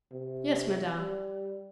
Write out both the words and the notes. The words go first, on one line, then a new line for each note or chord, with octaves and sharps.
"Yes, madame."
C3
G3